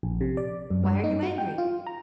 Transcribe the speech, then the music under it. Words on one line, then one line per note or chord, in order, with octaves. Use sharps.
"Why are you angry?"
A#1
C3
D5
F#2
G2
D#4
F#4
G5
F4
A#5